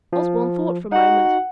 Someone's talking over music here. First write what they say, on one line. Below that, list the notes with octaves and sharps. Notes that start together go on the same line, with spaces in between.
Osborne thought for a moment.
F3
D#4 F#4 F#5